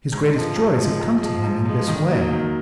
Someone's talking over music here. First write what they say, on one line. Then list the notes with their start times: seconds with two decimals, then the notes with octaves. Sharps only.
His greatest joys have come to him in this way.
0.12 G#2
0.34 F3 G#3
0.56 G#2
0.78 F3 G#3
1.00 G#2
1.21 F3 G#3
1.43 G#2
1.65 F3 G#3
1.87 D#3
2.09 F#3 A#3 D#4
2.31 D#3